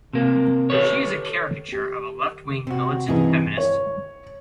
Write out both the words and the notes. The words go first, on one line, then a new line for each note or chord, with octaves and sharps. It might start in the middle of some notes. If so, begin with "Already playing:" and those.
She is a caricature of a left-wing militant feminist.
C3 A#3
G4 A4 B4 C#5
G4
C3 F#4
G2 C3 E3 D#4 G#4
C#5